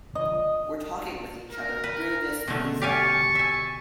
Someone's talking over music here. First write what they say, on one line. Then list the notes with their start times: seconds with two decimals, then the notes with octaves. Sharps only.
We're talking with each other through this music.
0.15 D#5
1.50 A#4
1.84 B4
2.48 B2 D3 A3
2.82 G4 F5 G#5 A5 C#6
3.35 E5 G#5